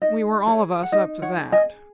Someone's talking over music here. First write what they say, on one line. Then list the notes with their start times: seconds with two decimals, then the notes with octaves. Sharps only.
We were all of us up to that.
0.02 D#4 D#5
0.47 G#4 C#5
0.83 F#5
0.92 D#4 D#5
1.22 C#5 F#5
1.37 G#4
1.52 D#5 G#5